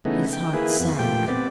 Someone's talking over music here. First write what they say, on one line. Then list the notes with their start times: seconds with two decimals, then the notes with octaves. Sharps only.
His heart sank.
0.05 C#3 E3 A3 B3 D#4
0.33 G5
0.53 A#3 E4 G#4 B4
0.80 F2 B3
0.99 A#2 F3 A3 G4 G5
1.28 B3 C4 D5